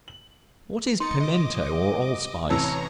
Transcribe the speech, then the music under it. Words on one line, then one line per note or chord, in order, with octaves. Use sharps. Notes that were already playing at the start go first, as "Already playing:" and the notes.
What is Pimento or Allspice?
F#7
D#4 C6 A6 C#7
D#5 D6
A1 C3 E3 C#5 A5 A#5 E6